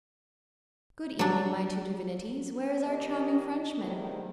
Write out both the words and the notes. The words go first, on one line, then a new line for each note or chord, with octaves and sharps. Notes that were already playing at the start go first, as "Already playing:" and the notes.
"Good evening, my two divinities, where is our charming Frenchman?"
F#3 D4
D#3 D4 G4 D5 D#5
E2 C3 D#3 E3 G3 A3